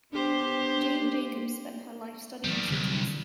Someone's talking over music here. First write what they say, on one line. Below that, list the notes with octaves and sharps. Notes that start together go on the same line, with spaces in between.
Jane Jacobs spent her life studying cities.
B3 D4 G4 C5
A#3
D#3 E3 F#3 G3 A3
C2 D3 E3 F#3